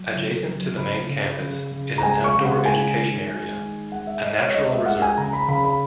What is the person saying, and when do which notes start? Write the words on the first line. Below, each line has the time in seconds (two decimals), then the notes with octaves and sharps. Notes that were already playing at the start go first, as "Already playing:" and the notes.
Adjacent to the main campus is an outdoor education area, a natural reserve.
Already playing: F#3
0.15 C#3
0.47 F#3
0.77 C#3 B5
1.09 C#3
1.40 C#3
1.72 C#3
1.98 A#5
2.03 G#3 G#5
2.24 C#6
2.35 C#3
2.45 F#5
2.65 G#3 G#5
2.97 D#3
3.28 G#3
3.60 D#3
3.92 G#3 F#5
4.07 E5
4.23 G#3 D#5
4.38 C#5
4.54 G#3 D#5
4.70 E5
4.86 G#3 F#5
5.02 G#5
5.17 C#3 A#5
5.33 B5
5.48 C#3 B5
5.64 B5